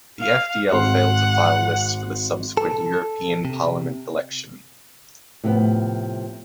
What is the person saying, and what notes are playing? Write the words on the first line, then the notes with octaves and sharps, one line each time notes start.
The FdL failed to file lists for the subsequent European Parliament election.
F5
G#1 F#5 C6
A4
C3
A2 C3 F3 B3